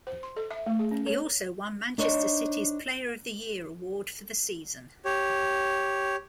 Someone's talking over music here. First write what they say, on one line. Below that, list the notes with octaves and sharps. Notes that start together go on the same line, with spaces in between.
He also won Manchester City's Player of the Year award for the season.
C5
C6
A4
E5
A3
G#4
C#4
C#5
D4 D#4 C5 C#5
G4 C#5